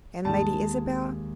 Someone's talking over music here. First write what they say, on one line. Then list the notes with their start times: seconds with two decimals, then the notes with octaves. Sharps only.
And Lady Isabel?
0.25 D#2 D#3 G#3 A5